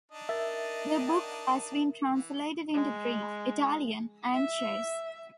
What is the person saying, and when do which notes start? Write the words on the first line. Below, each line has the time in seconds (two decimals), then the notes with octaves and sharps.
The book has been translated into Greek, Italian and Czech.
0.12 D4 D#4 D#5
0.29 A#4 E5 A6
2.13 E3
2.74 G#3
4.34 E5